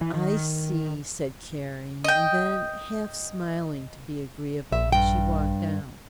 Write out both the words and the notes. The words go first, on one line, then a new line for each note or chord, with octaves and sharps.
"I see," said Carrie, and then, half-smiling to be agreeable, she walked out.
E3
D#3
D#5 G5
A#1 E5
G2 G5